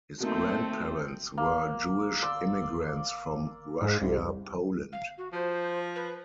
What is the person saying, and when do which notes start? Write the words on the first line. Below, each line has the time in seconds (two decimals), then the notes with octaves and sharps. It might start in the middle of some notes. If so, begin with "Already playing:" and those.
His grandparents were Jewish immigrants from Russia-Poland.
0.20 B2 A3 A#3 C4 D#4 A4
1.37 A#3
2.22 D5 C6 E6
3.81 G#2
4.01 C2
4.93 F5
5.18 F#4
5.33 F3 C5
5.96 B4